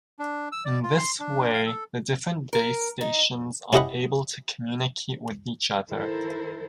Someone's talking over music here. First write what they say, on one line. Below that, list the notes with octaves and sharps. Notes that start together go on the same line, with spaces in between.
In this way the different base stations are able to communicate with each other.
D4
E6
D5
F4
C6
D4
F5
A4
A#4
D#4
C#4 E4 G4 D#5 F#5 B5
D#3 E4 A4 A#4 C5